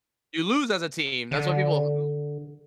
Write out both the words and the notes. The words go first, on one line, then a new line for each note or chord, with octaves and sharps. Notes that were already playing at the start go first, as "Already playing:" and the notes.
You lose as a team, that's why people m
D3